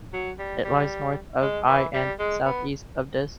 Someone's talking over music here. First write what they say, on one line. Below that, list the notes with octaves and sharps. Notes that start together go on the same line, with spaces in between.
It lies north of Eye and south-east of Diss.
F#3
G3
G3
G#3
E3
G3
G#3
B3